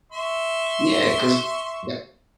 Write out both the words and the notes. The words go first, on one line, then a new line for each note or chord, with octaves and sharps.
Yeah, 'cause Yep.
E5 C6 C#6